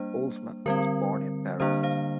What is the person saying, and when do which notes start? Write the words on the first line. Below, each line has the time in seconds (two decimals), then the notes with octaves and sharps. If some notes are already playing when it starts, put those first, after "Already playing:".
Holzman was born in Paris.
Already playing: G3 A#3 D4 C5
0.66 D3 G3 C4 A#4
1.60 D3 G3 A#3 D4 C5
1.83 C5 F5